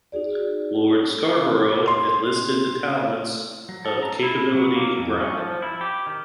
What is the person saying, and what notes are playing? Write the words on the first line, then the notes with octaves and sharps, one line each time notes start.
Lord Scarborough enlisted the talents of Capability Brown.
D#4 F#4 G#4 D5
C6
F#3
A4
A#5
E4
F#3
A#3
F2
C#4
F3
E4
G4
D#3